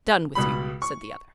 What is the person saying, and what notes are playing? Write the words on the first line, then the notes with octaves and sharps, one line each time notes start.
"Done with you," said the other.
C#2 B2 G3 B5
C#6